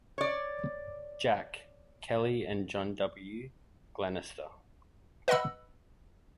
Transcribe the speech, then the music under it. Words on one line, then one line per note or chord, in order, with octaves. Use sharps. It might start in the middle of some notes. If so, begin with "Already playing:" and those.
"Jack" Kelly and John W. Glenister.
C#5 D5
B4 D#5 F#5 B5 E6